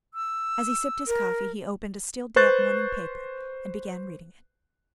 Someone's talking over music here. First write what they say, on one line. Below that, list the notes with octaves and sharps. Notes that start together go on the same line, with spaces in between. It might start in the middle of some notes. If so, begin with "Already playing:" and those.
As he sipped his coffee, he opened a still damp morning paper, and began reading it.
E6
A#4
B4 C5 C#6 F#6 A6